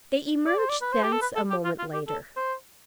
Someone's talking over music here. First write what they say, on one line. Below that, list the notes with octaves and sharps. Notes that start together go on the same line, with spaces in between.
They emerged thence a moment later.
D5
C5
D5
B4
C5
G4
A4
B4
A4
G4
F4
F4
G4
A4
C5